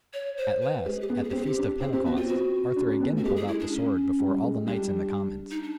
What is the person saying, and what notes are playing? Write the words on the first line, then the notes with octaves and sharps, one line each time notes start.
At last, at the feast of Pentecost, Arthur again pulled out the sword before all the knights and the commons.
C#5
C5
B4
G#3 G4
G#4
G4
B3 G#4
G4
G#4
G4
C4
G#4
G4
D4
C4 G#4
C4 G4
B3 F#4
C4 F4
F#4
D4
C#4
B3
A3
F#4
G#3 G4
G#4
E4
D4
C#4
G3
G#3
G3 D4
D#4
D4